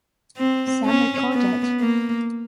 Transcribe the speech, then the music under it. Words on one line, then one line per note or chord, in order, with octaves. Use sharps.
Some record it.
C4
C#4
B3
A#3